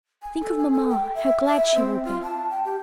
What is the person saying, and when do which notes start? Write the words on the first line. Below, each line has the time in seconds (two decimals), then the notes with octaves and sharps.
Think of mamma, how glad she will be!
0.22 G#5
0.41 A4
0.57 G#5
0.72 A4
0.88 G5
1.15 E5
1.45 E5
1.75 C4
2.05 F4
2.23 A5
2.50 G5
2.65 G4